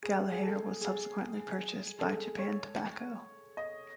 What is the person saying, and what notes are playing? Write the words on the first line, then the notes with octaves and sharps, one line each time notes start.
Gallaher was subsequently purchased by Japan Tobacco.
G#4
G#4
A4
G#4
A4
C#5
D#5